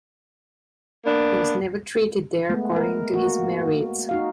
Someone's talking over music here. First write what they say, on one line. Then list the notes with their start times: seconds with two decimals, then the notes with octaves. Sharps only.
He was never treated there according to his merits.
1.06 A#3 B3 D4
2.50 G#3 A3 B3
2.76 A#4
3.14 A#3 F#4
4.09 D#4 F#4 F5